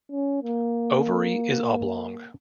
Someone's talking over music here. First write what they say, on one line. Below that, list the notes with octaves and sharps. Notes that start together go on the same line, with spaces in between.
Ovary is oblong.
C#4
A#3